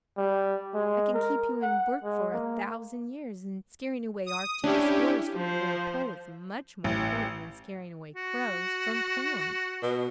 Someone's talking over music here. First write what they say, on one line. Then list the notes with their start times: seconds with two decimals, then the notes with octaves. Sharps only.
I can keep you in work for a thousand years, and scaring away Arctic Explorers from the North Pole is much more important than scaring away crows from corn.
0.17 G3
0.74 G#3
1.14 A#4
1.62 F#5
2.04 G#3
2.33 A#3
4.26 D#6
4.64 C#4 D4 E4 G4
5.35 F3 C5
6.84 A1
8.16 F#4
9.82 B2